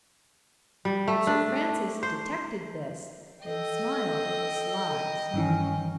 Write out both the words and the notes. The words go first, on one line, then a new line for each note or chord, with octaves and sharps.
Sir Francis detected this, and smiled with a sly smile.
G3
A3
D4
C5
A4 D#5 G5
G2 D#3 E3 C#4